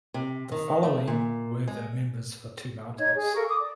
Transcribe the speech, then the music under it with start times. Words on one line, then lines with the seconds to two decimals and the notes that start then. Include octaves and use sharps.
The following were the members for Two Mountains.
0.14 C3
0.52 D#3
0.83 A3
1.07 A#2
1.68 G#3
2.98 D#4 C#5 D#5 G#6
3.15 G#4
3.35 A4 A#4 F5 C#6
3.48 D6 D#6
3.59 D5